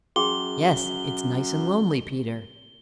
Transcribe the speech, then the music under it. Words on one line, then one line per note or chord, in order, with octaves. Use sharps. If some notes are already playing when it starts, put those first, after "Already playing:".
"Yes; it's nice and lonely, Peter."
F#2 G#4 G5 C6 G7